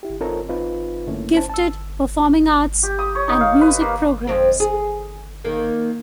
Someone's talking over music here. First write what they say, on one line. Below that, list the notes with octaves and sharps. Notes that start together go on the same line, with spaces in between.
Gifted, Performing Arts, and Music Programs.
E4 G4
C4 D#4 F4 A4 A#4 C#5
C4 D#4 F4 B4
F#2 D3 A3 A#3 C#4 E4
C#4 E4 C5 A5
A5 E6
G4
D#6
C#5
D#4
F5
B4
A#3
F2 C4
G#4
D#3 A#3